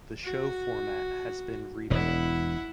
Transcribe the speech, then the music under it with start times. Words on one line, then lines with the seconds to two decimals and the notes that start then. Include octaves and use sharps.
The show format has been revamped.
0.24 F#4
1.90 E1 B2 E4 F#5